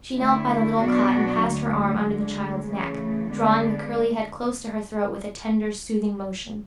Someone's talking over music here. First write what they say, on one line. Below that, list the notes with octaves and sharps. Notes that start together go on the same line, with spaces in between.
She knelt by the little cot and passed her arm under the child's neck, drawing the curly head close to her throat with a tender, soothing motion.
D3 A3 E4
B2 F#3 B3 D4 F#4
D2 D3 F#3 A3
D2 D3 G#3
C#3 E3 A3
D3 G#3 B3 D4